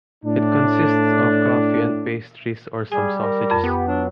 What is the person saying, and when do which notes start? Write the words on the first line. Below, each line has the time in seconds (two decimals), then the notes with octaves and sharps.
It consists of coffee and pastries or some sausages.
0.25 A2 D4
2.92 G3 G#4 G#5
3.23 A#4
3.50 F2 B5
3.64 B3 G4
3.88 F#3 D4